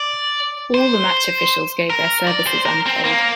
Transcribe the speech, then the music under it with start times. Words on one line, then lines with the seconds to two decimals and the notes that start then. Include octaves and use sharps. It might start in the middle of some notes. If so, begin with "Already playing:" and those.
All the match officials gave their services unpaid.
Already playing: D5
0.74 C5
1.90 A#4
2.27 D5
2.47 C5
2.66 A#4
2.86 C4
3.05 A#3